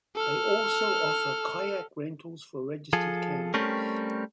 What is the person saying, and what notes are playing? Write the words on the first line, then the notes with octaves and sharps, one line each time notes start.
They also offer kayak rentals for registered campers.
A4 F6
F3 G#4 A4
G3 A3 C4 C#4 A#4